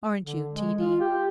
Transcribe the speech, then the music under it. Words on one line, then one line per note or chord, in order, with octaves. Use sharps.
Aren't you, T. D.?
D3
G#3
F4
G4